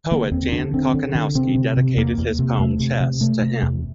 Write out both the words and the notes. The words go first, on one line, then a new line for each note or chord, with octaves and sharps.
Poet Jan Kochanowski dedicated his poem "Chess" to him.
D3 A#3
E2 C4
D3 D4
D3 C4
D3
D3
C3 C4
C3
C3
E2 A#3
E2
C3
E2 A3
C3
C3
C3 A3
C3
E2